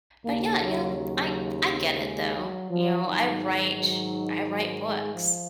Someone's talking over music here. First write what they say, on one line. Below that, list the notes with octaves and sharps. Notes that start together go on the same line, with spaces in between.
but, yeah, you know, I I get it, though, you know, I write I write books,
D#2 C#3 A#3
F#3
F#3
G#3
F#3
F3
G#2 D#3 F#3
F#3
F#3
G#3
F3